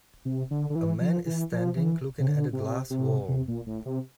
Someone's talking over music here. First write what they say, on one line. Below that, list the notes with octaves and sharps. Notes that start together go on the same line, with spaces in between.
A man is standing looking at a glass wall.
C3
D3
D3
E3
F3
E3
F3
E3
C3
D3
C3
C3
C3
A#2
A2
C3